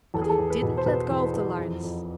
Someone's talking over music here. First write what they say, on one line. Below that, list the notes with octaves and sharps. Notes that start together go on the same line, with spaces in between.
But he didn't let go of the lines!
E2 A4
G#4
A4
E2
B4
B2
C5
B2 B4
E2
E2
F2
F2